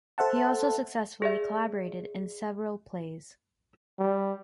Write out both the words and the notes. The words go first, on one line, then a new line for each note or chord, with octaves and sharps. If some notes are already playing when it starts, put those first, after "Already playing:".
He also successfully collaborated in several plays.
A4 C5 E5 F#5 A5
G#4 D5 E5
G3